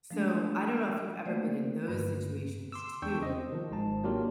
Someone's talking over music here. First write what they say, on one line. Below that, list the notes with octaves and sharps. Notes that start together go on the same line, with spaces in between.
so, I don't know if you've ever been in those situations too,
F3 G#3 A3 D4
A3 A#3 F#4 C5 D5
G2 D3 B4
C6 D6 E6
E2 D4 G5 C#6 E6 G6
C5 D#5
D#3 F3
G#1 G#2 D#4 A5
F#3 A#3 D4 F4 G4 A#4